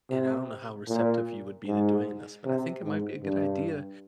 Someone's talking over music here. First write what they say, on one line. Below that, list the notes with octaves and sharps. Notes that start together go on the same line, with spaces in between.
and I don't know how receptive you would be to doing this, but I think it might be a good idea
C3
A#2
G#2
C3
G#2
G2